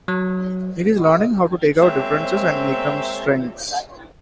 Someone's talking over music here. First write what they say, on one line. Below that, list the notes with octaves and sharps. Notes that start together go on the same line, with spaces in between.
It is learning how to take our differences and make them strengths.
F#3
G#3 A#3 C4 C5 C#5 E5